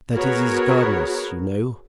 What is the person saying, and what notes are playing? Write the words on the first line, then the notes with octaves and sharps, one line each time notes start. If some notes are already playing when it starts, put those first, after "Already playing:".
That is his Godness, you know.
B3 F#4 G#4 A#4 B4 C#5